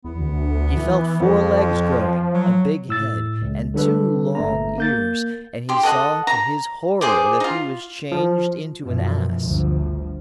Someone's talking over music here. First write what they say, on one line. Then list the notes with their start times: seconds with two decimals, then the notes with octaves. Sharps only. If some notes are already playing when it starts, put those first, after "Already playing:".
He felt four legs growing, a big head, and two long ears, and he saw to his horror that he was changed into an ass.
0.05 E2 B3
0.18 D2
0.77 E3
1.20 F2 F3
2.33 F#3
2.89 A2 E6 A6
3.42 C#2
3.74 D3 G3 D4 A4 B4
4.35 G1 A3 B3 A#5
4.78 A#3 G6 A6
5.69 G4 C6
5.83 A4 D#5 F#5
6.27 A#5
7.01 G#4 C5 D6
7.40 D#4 F4
8.12 F3
8.82 F#2 B2 E3 F3
9.43 G1 D2 F3